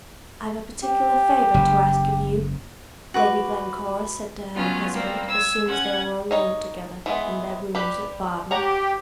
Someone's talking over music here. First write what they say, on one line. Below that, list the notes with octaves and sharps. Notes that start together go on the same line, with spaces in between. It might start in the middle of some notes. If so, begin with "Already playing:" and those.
"I've a particular favour to ask of you," Lady Glencora said to her husband, as soon as they were alone together in their rooms at Baden.
G4
F#1
F#4 B4 D6
F#3 B3 C#4 F4
G3 A#3 C4
E6 G#6
C#4 F#5 G#6
D#4 C#5 D#5
E3 G#3 B3
G3 G4 B4
G4 C#5 F#5 A#5